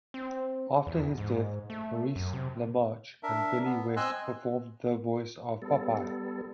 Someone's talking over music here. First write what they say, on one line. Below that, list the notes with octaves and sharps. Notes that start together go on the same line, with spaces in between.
After his death, Maurice LaMarche and Billy West performed the voice of Popeye.
C4
E2
G#2
A3
F#2
C3
D4 A#4 E5
B3
C4 D#5 G#5 C6 E6 F#6
G3 B3 A4